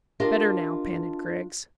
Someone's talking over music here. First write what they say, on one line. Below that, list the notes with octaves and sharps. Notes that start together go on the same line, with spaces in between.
"Better now," panted Griggs.
D4 F4 G4 A#4 D#5 F5